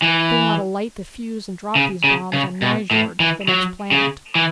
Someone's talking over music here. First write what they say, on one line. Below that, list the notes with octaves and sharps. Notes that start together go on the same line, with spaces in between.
They want to light the fuse and drop these bombs on Nyjord, the next planet.
E3
C#3
C#3
C#3
B2
A2
E3
F#3
C#3
E3